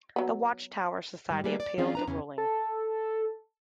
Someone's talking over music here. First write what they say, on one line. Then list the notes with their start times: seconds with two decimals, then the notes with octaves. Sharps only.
The Watch Tower Society appealed the ruling.
0.16 F#3 B3
1.29 G#2 D#3 G3
1.44 G3 A3 A#3 G#4 B4 D5
1.60 D5
1.78 E3 C4 C#4 F4 G#4 D5
1.95 D4 B4 A#5
2.07 E2 C#3 C#4
2.38 A4